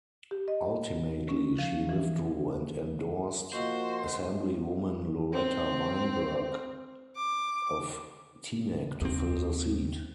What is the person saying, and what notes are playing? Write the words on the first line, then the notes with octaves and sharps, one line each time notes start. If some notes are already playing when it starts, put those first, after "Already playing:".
Ultimately, she withdrew and endorsed Assemblywoman Loretta Weinberg of Teaneck to fill the seat.
G4
D#5
C#4
F3
E3
F3 A#3 F#4 C5 D#5
C4
D6
D#2 A3 C4